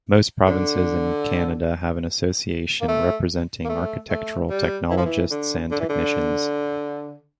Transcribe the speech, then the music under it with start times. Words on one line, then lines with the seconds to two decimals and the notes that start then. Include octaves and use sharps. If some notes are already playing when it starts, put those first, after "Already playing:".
Most provinces in Canada have an association representing architectural technologists and technicians.
0.46 D3
2.81 A#3
2.88 A3
3.65 A#3
3.69 A3
4.10 A3
4.50 G3
4.91 E3
4.97 F3
5.05 E3
5.31 D3
5.71 D3
5.80 E3
5.89 D3